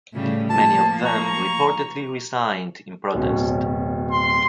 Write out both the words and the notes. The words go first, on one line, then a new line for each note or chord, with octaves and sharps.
Many of them reportedly resigned in protest.
A2 C#3 G3
F3 A#3 A5
A#5 C#6
D1 B2 C#4
C6